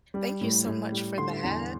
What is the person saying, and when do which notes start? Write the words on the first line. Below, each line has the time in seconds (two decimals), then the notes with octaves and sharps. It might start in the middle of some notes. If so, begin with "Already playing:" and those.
thank you so much for that.
0.14 G3
0.41 A2
0.66 A2
0.92 G3
1.18 D3 C6
1.44 E2